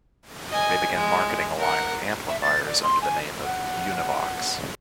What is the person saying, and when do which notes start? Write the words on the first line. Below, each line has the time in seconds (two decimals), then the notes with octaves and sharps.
They began marketing a line of amplifiers under the name of "Univox".
0.50 D#5 G#5
0.94 G#3
1.58 A#4 F#5
2.29 E5
2.42 A6
2.67 D5
2.83 C6
3.02 G#5
3.44 F#5